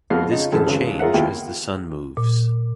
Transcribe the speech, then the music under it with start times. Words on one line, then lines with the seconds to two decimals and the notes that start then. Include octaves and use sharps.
This can change as the sun moves.
0.10 F2 B3 F4 F#4 F5 F6
0.29 C#3 D#4 F4
0.52 C2 F#2 E3 G#3 A4 A5
0.66 G#1 C#2 C#3
0.99 F4 G#4 A#4 C#5 E5 F#5
1.14 D#2 B3 E4 F4 G4 G5
2.17 A#2